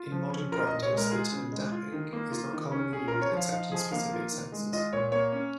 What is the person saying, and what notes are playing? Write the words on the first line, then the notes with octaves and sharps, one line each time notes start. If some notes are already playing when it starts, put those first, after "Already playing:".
In modern practice the term "dapping" is not commonly used except in specific senses.
Already playing: F4
F3
C#4
F4 A#4
A#2 D#5
C#5
G#3 A#4
A#4
F4 G#4
C#3
G#3
F4
D#3
A#3
F4
D#3
C#4
C#4 G#4
F4 A#4
C#5
F3 F5
D#4 F5
F3 G#4
A#3 F5
F4
D#3
G#3
F4 D#5
A#2 C#5
A#3 C#5
C#4